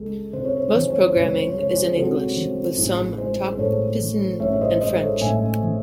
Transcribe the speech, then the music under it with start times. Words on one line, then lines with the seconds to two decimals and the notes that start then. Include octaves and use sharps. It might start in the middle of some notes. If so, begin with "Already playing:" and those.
Most programming is in English, with some in Tok Pisin and French.
Already playing: C#2 G#3 A4
0.33 C3 C5
0.45 C#5
0.57 C5
0.68 C#5
0.75 E3 C5
0.90 C#5
1.01 C5
1.14 C#2 C#5
1.24 C5
1.36 C#5
1.47 C5
1.55 G#3 C#5
1.70 G#4 C5
1.96 C3 F#4 A4
2.37 E3
2.77 A1 E4 G#4
3.18 G#3 G#4 C5
3.52 C5
3.58 A2 A4 C#5
4.00 E3
4.40 A1 C#5 E5
4.53 E5
4.61 C5 D#5
4.81 G#3 C5 D#5
5.01 A4 C#5
5.21 A2 E5 G#5
5.63 E3